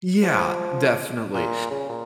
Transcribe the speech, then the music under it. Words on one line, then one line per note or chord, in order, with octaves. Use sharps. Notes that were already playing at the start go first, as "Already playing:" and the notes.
Yeah, definitely,
F3
A#2
C#3
A#2